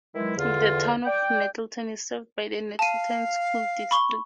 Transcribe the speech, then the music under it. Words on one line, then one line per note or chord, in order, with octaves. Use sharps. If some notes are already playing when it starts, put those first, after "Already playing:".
The Town of Nettleton is served by the Nettleton School District.
D#3 E3 F#3 G#3 E4
E2 D3 F4
D5 G5
F5 A5 D#7
B5 C#6 G7